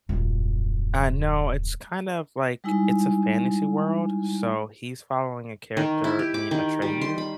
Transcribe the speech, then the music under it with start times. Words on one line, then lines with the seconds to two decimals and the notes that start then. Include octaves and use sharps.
Uh, no, it's kind of, like, it's a fantasy world. So, he's following a character named Atreyu,
0.09 D#1 F#2
2.64 G3 G#3 D#4 E4 G#5
5.77 D#3
6.04 E4
6.19 G4
6.34 D6
6.51 D#3
6.82 G3
7.01 C6
7.18 B5